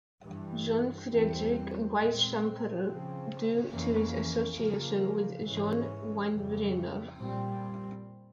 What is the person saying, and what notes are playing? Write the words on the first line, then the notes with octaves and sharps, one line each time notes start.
John Frederick Weishampel due to his association with John Winebrenner.
G2 E3 G3
E2 E3 G3 C4
A#2 G#3 C4
C#3 F3 C4
F2 E3 A#3 C#4
C#3 F3 A#3
G#2 E3 G#3 C#4
F2 C#3 E3 G3
A#2 G3 C4